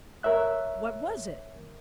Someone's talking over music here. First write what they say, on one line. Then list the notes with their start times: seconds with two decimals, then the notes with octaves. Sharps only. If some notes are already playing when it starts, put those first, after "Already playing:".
What was it?
0.23 A#4 C#5 E5 F#6